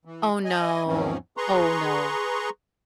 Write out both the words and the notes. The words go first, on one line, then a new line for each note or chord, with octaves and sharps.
Oh, no. Oh, no.
E3
D#5 G#5
E2 G#2 E3 F3 C4 C#4
G#4 B4 A#5 C6 C#6